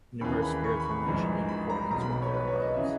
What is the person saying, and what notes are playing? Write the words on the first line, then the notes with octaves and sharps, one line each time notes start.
Numerous spirits were mentioned in accordance with their abodes.
D#2 C#3 E3 B5
B5
C#6
B5
C#6
A#1 G#2 E3
B5
A#5
B1 B2 A#5
B5
B5
C#5
B4
C#5
D#5
C#3 E3 E5